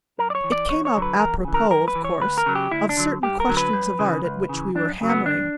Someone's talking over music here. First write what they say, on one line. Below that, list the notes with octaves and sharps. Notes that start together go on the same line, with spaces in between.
It came up apropos, of course, of certain questions of art at which we were hammering.
F#2 A#4
D5
C#5
E3
D5
E2 C#5
C#5
D3 F#3
B4
E2 A#4
C#3 E3
A#4
F#2 A#4
B4
E3
C#5
D2 B4
A#4
C#3 F#3
G4
D2 E4
D4
D3 F#3
G2 G4
A#4
D3 F#3
B4
F#2
C#3 E3
C#2
C#3 E3
F#2 D4
C#3 F#3
B3
G2 D4